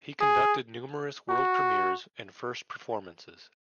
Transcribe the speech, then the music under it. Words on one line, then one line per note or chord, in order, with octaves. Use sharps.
He conducted numerous world premieres and first performances.
G#4
F#4